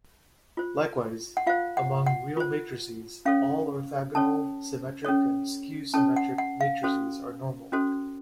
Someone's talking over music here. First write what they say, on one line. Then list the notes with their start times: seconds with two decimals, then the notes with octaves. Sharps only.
Likewise, among real matrices, all orthogonal, symmetric, and skew-symmetric matrices are normal.
0.57 F4 C5
1.37 F#5
1.47 F4 C5 F5
1.77 F#5
2.06 F#5
2.37 F4 C5
3.25 C#4 A4 C#5 F5
4.15 C#4 A4 C#5 A5
5.05 C#4 A4 C#5
5.94 C#4 A4 C#5 A5
6.16 F#5
6.38 F#5
6.61 F5
6.83 C#4 F#4 A4 C5
7.72 C#4 F#4 A4 C5